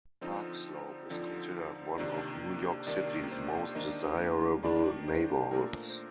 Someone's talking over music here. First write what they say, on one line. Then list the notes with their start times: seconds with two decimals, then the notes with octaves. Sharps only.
Park Slope is considered one of New York City's most desirable neighborhoods.
0.21 D3 F3 C4 D#4 D#5
1.10 D3 F3 C4 D#4
1.98 C3 D#3 A#3 D4 D5
2.87 C3 D#3 A#3 D4 D5
3.31 C5
3.75 D#3 A#3 D4 D#5
4.63 D#3 A#3 D4 D5
5.08 C5
5.51 A#2 A3 D4 A#4
5.89 C5